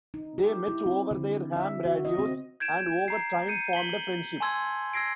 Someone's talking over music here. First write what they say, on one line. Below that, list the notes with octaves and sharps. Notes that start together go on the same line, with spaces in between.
They met over their ham radios, and over time formed a friendship.
D#4
G4
E4
C4
D3
E5
F#4
D#5
C4
G6 G#6 D7 E7
A#5 C7
G6 C#7 D#7
B6 F#7 G7
G#5 A5 C6 E6 G#6
E6 G#6 A#6 C7 D7